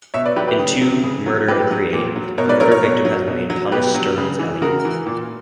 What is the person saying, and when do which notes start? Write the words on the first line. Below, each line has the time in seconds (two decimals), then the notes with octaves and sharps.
In "To Murder and Create", a murder victim has the name "Thomas Stearns Eliot".
0.14 B2 C#5 E5
0.26 B4 D5
0.36 F#3 G4 B4
0.48 G4 B4
0.59 C#3
0.81 F#3
1.04 C#3
1.26 F#3
1.48 A#2 G4 B4
1.71 F#3
1.93 A#2
2.16 F#3
2.38 B2 A#4 C#5
2.49 B4 D5
2.60 F#3 A#4 C#5
2.72 A#4 C#5
2.83 B2
3.05 F#3
3.28 B2
3.50 F#3
3.72 B2 G4 B4
3.95 F#3
4.18 C#3
4.39 E3
4.62 C#3 F#4 A#4
4.85 E3
5.07 A#2